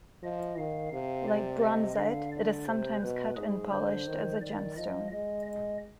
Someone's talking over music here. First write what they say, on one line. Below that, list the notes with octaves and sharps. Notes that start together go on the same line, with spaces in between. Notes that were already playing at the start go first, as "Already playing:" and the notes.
Like bronzite, it is sometimes cut and polished as a gemstone.
F3 D#5
D#3 F5
C3 F5
D5
D#5
D3 F5
D5
C3 C5
B2 B4
G#2 G#4
D3 C5
D#3
D#3 D5
F3 D#5
G#3 D#5
D#5